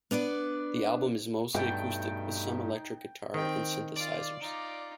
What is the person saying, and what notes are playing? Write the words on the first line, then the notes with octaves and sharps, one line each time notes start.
The album is mostly acoustic with some electric guitar and synthesizers.
B3 D4 B4 D5
G2 B2 A3 D#4 G5
D#3 C4 G5
F4 D5
D#4 F4